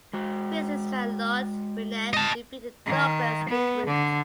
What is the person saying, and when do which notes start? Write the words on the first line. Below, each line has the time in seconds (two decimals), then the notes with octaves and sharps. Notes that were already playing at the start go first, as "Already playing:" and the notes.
Businessman Lloyd Winnecke defeated Douglas De Groot.
0.13 G#3 F#4
2.14 D#5 A5
2.86 D#3
3.50 B3
3.87 D3